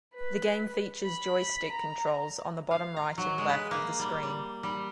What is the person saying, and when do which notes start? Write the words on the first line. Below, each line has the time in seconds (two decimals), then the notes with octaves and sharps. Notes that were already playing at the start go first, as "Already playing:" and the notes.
The game features joystick controls on the bottom right and left of the screen.
0.15 B4
1.04 B5
1.73 A#5
2.71 F5
2.96 A#5
3.18 F#3
3.38 G#3
3.49 B4
3.71 A#3
3.99 G3
4.23 G3
4.63 G3